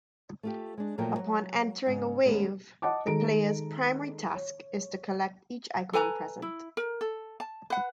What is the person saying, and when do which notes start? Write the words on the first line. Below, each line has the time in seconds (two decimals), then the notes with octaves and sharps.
Upon entering a wave, the player's primary task is to collect each icon present.
0.43 A3 F4 G4
0.78 G#3 D4
0.98 A#2 F3 F#3 A3 A#3 G5
1.19 F#3
1.87 G#2 C#3
2.25 D#2 A#2 G#3 B3 C#4
2.82 D#5 F#5 A5 D6
3.07 D#3 G#3 A4 A#5 D7
4.34 C#5
5.93 A4 B4 G#5 A#5
6.42 E4
6.77 A#4
7.01 A4
7.40 A5
7.70 B4 F#5